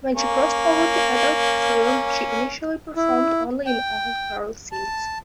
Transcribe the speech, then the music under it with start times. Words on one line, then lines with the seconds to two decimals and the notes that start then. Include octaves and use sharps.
When she crossed over to adult film, she initially performed only in "all-girl" scenes.
0.15 A#3 C#4
2.96 E4
3.66 G5
4.72 A5